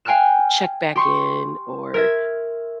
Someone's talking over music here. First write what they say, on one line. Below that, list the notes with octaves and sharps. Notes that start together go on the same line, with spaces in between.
check back in, or,
F5 G5 G#5 F6 F#6 E7
G4 C6 C#6
A#4 E5 G#6